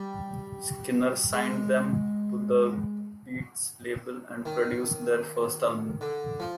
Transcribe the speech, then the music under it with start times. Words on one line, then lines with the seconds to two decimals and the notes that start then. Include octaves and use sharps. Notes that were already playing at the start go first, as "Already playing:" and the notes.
Skinner signed them to The Beats label and produced their first album.
Already playing: G3
1.33 G#3
4.46 D#3
6.01 D3
6.40 F3